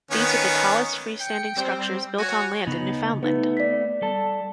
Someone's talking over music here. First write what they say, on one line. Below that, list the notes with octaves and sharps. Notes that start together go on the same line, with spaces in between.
These are the tallest freestanding structures built on land in Newfoundland.
D#3 B3 C#4
G5 C#7
G3 C4 C5
F#4 C#5 G#5
C#3 B3 D#4
A3 B3 D#4 B4
D5 B6
G3 A4 A5